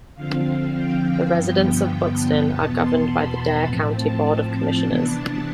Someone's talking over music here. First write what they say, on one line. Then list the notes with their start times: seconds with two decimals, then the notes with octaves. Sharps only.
The residents of Buxton are governed by the Dare County Board of Commissioners.
0.14 D3 F3 C4 F5
0.44 F5
0.73 G5
1.02 G5
1.31 G2 D3 F3 B3 G5
1.60 G5
2.48 E2 B2 B3 A5
2.77 C6
3.07 B5
3.65 A2 F3 C4
3.94 A5
4.81 C3 E3 B3 D4